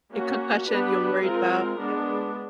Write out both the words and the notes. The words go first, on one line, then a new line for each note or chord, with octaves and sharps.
A concussion you're worried about, yep.
A#3 C#4 F#4
B3 D4 G4 B4
G#3 C4 F4 A#4
G#3 B3 D4